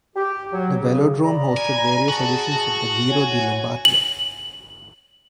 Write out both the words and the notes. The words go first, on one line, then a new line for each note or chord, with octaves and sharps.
The velodrome hosted various editions of the Giro di Lombardia.
G4
F#3
C#3
D5 A#5 B5
G#5
F#4 G#4 A5
C#5 F#5 G#5
F#7